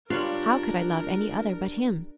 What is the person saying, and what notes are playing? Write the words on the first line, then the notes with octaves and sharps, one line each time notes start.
How could I love any other but him?
G3 D4 F4 A#4 C#5 B5